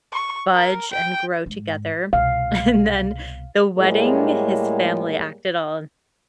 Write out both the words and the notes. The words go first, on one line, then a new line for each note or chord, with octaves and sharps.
budge and grow together. And then the wedding, his family acted all
C#6
A#4
G5
G#2
C2 B2 F5
A2 G3 G#3 A#3 G#4 C#5